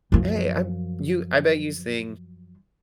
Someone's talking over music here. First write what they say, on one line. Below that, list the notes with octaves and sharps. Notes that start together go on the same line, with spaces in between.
Hey, I'm you I bet you sing
F#2 F3